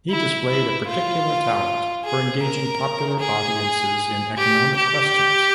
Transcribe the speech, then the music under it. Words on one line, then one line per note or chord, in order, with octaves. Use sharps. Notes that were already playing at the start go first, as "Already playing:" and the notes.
He displayed a particular talent for engaging popular audiences in economic questions.
E4
E4
F4
G#4
A#4
G#4
G4
G4